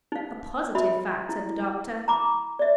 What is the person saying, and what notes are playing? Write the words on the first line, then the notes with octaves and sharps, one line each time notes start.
"A positive fact," said the Doctor.
D#4 F5
F#4 E5 B5
E4
A#5 B5 D6
D5 E5